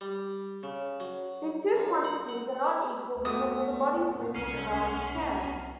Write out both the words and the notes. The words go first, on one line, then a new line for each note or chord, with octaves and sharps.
These two quantities are not equal because of the body's movement around its parent.
G3
C#3
F#3
F#2
F#5
F#5
A3 B3 F#4 D#6
C2 C#4 F6 C7